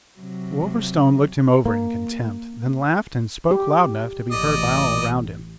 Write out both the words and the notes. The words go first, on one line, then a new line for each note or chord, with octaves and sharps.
Wolverstone looked him over in contempt, then laughed and spoke loud enough to be heard by all around him.
C3 F#3
A#3
G4
A1 D5 D#5